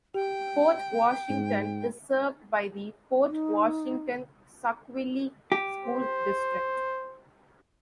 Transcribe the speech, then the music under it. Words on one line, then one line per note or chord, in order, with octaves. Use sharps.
Port Washington is served by the Port Washington-Saukville school district.
G4 G5
G#2
D#4
G4
C5